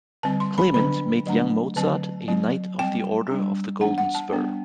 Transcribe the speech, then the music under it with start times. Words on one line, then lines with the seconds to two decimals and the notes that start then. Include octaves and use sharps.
Clement made young Mozart a knight of the Order of the Golden Spur.
0.23 D3 G3 C4 A5
0.40 C6
0.58 B5
0.74 D3 F#3 B3 D4 B5
1.26 D3 F#3 A3 D4
1.76 D3 F#3 C4 A5
2.28 F#3 C4
2.79 G3 C4 G5
3.30 G3 D4
3.81 E3 B3 D4 F#5
3.98 F#5
4.15 A5
4.32 G3 B3 D4